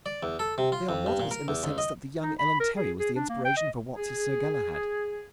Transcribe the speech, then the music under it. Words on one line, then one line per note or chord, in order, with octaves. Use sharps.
They are models in the sense that the young Ellen Terry was the inspiration for Watts' Sir Galahad.
D5
E2
A4
C3
F4
F2
G2
A#2
A#4
E2
C#2
D#5
D#4
B5
A#4
G#4
G#4
D4
A#3
G5
D#5
G#4